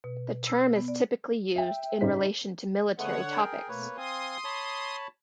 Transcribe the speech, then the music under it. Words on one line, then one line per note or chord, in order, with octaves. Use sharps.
The term is typically used in relation to military topics.
B2
E6
B3
D5
E5 G5
G2 C#3 D#4 C5 B6
D3 G#3 A3 B3 C#5 F#5
G#4 A#4 G5
B2 A3 A#3 B4 C#5
C4 F5 G#5 C6 D#6
C#5 A5 B5